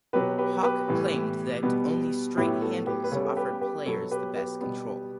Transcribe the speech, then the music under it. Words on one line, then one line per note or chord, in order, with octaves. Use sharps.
Hock claimed that only straight handles offered players the best control.
B2 F#3 B3 G4 B4
G4 B4
G4 B4
A2 E3 G3 B3
B2 G3 B3
A2 F#3 B3 E4 G4
F#4 A4
G4 B4
B4
C#3 G3 B3 A4 C#5
A4
G4 B4
G4 B4
B2 F#3 B3 A4 C#5
G4 B4
G4 B4
B2 G3 B3